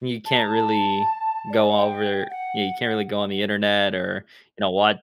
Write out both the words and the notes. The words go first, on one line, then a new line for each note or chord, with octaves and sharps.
You can't really go over Yeah, you can't really go on the Internet or, you know, what
A5
A#5
A5
D5
D#5
F#5
G5
F#5